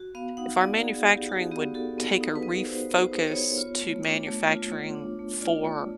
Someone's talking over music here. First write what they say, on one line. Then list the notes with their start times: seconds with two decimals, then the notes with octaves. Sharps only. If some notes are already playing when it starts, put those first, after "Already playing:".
if our manufacturing would take a re-focus to manufacturing for
Already playing: F#4
0.15 B3 F5
0.37 D#4 F#5
0.61 B3 D5
0.83 F#4 G#4
1.06 B3 G4
1.29 D#4 F#4
1.51 B3 G4
1.74 F#4 A4
1.98 B3
2.21 D#4
2.36 B4
2.43 B3
2.66 F#4 C5
2.90 B3
2.96 C5
3.12 D#4
3.27 C#5
3.35 B3
3.58 F4
3.81 A3
4.03 D4
4.27 A3
4.49 F4
4.72 A3
4.95 D4
5.19 A3
5.41 F4 D5
5.65 A3